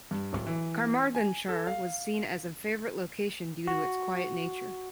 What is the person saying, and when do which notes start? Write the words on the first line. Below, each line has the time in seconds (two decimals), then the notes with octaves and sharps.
Carmarthenshire was seen as a favourite location due to its quiet nature.
0.11 G2
0.33 D1
0.47 E3
1.15 G#5
1.49 A4
1.67 F5
3.67 F#4